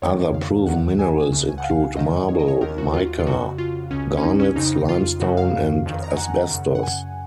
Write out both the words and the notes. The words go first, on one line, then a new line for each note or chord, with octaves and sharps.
Other proven minerals include marble, mica, garnets, limestone, and asbestos.
F2 D#3 C#5
F5
D#2 D#3 F#5
G#5
C#2 C#3
G#5
F#5
F5
F2 D#3 D#5
C#5
D#5
C#5
D#2 D#3 A#4
F#4
F4
F4
F2 C#3 F#4
F4
C#2 C#3 C#4
C#4
D#4
C#4
F2 C#3 D#4
D#4
F4
F#2 C#3 F#4
F5
F2 D#3
A#5
G#5
F#5
F#2 C#3
F#5
G#5